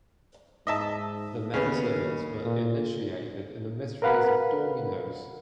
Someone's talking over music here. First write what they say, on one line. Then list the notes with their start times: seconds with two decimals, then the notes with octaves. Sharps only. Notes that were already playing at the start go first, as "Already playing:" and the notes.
The men-servants were initiated in the mysteries of dominoes.
0.67 G#2 D#5 E5 A5
1.54 D#2 C#3 B3
2.44 A#2
4.02 A#4 B4 F5 F#5 B5